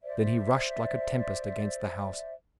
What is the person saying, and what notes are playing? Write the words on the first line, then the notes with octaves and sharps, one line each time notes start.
Then he rushed like a tempest against the house.
C5 D5 E5